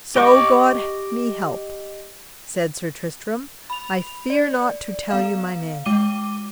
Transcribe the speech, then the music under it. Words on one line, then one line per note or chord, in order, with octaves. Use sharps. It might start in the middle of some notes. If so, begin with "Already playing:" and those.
So God me help, said Sir Tristram, I fear not to tell you my name.
G4 D#5 C#6 D6
B5 F7
D5
B3 F5
G#3 D6 D#7 G7